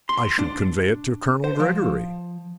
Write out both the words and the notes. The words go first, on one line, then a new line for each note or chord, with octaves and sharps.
"I should convey it to Colonel Gregory."
C6
D4
C5
F3